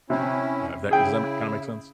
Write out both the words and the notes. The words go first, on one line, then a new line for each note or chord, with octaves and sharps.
Uh, if that does that ma kinda make sense?
C3 C#4 E4
C#3 E4 G#4 G5